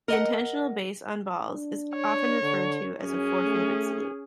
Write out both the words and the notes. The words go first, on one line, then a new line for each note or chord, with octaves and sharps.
The intentional base on balls is often referred to as a four-fingered salute.
A#4 D#5 F#5
D4
C#5
D3
F#2 C#4 G#4
A3